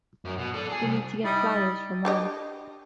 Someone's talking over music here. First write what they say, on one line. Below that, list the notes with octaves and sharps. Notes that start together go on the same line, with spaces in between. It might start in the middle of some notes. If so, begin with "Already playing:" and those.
We need to get flowers for Mom.
F#2
B2
A4 D5
G#4
C2
G3 D#4 E4 D5
D4 G4 D#5